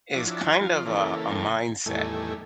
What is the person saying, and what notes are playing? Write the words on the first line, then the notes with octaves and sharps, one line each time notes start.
is kind of, uh, a mindset.
F3 F#3 D4 E4
F3 F4
C#3 E3 A#3 A4
E2 A2 D#3 G3 A3 G#5